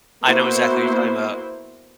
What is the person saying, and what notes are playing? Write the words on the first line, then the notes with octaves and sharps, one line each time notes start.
I know exactly what you're talking 'bout.
A#3 B3 E4 F#4 C5